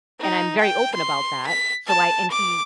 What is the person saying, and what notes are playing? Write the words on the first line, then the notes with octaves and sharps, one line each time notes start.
and I'm very open about that. So I and he
D#4
G5
C6
B6
A5
D6